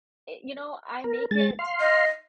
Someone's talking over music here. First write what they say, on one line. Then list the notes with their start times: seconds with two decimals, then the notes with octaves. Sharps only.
you know, I make it,
1.04 A#4
1.31 G#3 A6
1.59 F5 C6
1.80 D#5